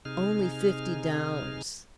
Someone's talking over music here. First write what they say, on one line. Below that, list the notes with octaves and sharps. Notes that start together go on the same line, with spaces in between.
"Only fifty dollars."
C3 D#4 G#4 F6